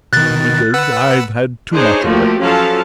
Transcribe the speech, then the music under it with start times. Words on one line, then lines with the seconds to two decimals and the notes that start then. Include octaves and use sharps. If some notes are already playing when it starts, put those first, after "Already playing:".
"Richard, I've had too much of it!"
0.13 B2 D#3 F#6 A6
0.74 B4 F#5 E6
1.74 D4 D#4 G#4 C5 C#5
2.04 F3 A3 A#3 F#4 G4
2.41 F3 F#3 C#4 A4 F5 A5